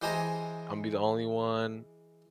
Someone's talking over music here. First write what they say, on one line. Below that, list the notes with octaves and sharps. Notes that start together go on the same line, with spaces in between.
I'll be the only one
E3 G#3 G4 C5 G#5 A#5